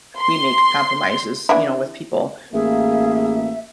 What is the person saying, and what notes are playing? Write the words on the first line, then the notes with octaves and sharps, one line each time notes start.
we make compromises, you know, with people.
C6
E3 D4 E4
A1 A#3 G#4 E5